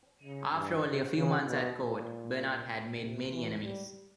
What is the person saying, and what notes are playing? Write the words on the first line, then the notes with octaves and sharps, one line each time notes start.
After only a few months at court, Bernard had made many enemies.
C#3
G2
C3
C#3
B2
A#2
C3
E3
G3